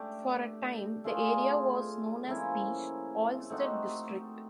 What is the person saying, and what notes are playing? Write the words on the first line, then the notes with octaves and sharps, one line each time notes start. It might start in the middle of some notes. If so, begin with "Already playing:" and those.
For a time the area was known as the "Olstead District".
Already playing: A3 D4 G4
A3 D4 F4 G#4
F3 A#3 C#4 E4
A3 C4 D#4 F#4